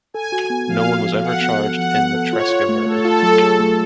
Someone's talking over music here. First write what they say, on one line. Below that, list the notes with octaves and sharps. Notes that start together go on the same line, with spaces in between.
No one was ever charged in the Tresca murder.
A4 G#5
F#4
B3
F3 F5
F#4
F3
A4 F#5
B3
A4
F3 F#5
B3
A4
F4 C#5
F4
A3
A3 A4
F4
F#3
G#4
A3